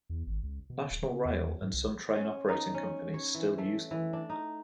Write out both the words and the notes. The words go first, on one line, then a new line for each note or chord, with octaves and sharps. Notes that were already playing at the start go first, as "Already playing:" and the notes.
National Rail and some train operating companies still use them.
E2
G#1
C#2
B2
D#1
C#3
E2
G#2
C2
C#4
D#4
C#4
C#5
E3
A3
E3
D4
D#4